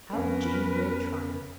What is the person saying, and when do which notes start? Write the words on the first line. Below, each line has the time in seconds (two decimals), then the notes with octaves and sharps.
How Jane would triumph!
0.13 F2 B3 C#4 A#4 B4